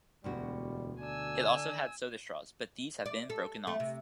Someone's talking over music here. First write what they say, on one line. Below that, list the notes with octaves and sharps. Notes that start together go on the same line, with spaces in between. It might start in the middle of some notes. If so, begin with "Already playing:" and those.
It also had soda straws, but these have been broken off.
E1 D2 B2 G3 F#4
D3 D4 G#5 E6
D5
A4
A3
C3